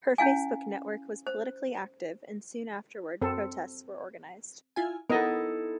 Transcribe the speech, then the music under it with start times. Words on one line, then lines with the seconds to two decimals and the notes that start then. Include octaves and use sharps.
Her Facebook network was politically active and soon afterward protests were organized.
0.18 C#4 E4 F5 G#5
1.27 C5
3.22 F#2 C4 A4
4.76 E4 F4 G#5
5.10 B3 D#4 E4 A4 A#4 D#5